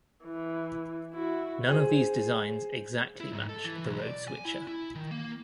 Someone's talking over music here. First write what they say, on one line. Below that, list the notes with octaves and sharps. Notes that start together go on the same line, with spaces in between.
None of these designs exactly match the Road Switcher.
E3
E4 F#4
G#4 C5
E4
G#2
A4
E3
B1
D5
G#5
E4
E4
D#3
A#3